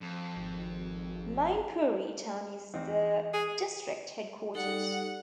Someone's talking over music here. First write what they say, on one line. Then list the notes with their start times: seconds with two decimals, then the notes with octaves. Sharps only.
Mainpuri town is the district headquarters.
0.02 F2
0.36 G#1
2.74 E2 C4 D#4
3.34 G#4
4.55 G3 D#4 A4 F#5